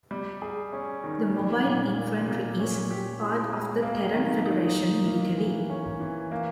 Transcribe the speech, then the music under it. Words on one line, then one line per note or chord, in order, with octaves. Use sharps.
The Mobile Infantry is part of the Terran Federation military.
G3
G#4
C#4
D#3
G3
A#2
A#3
A#2
C#4
G4
E4
G#3
A#3
D#3
D#4
D#3
A#3
E3
C#4
E3
A#3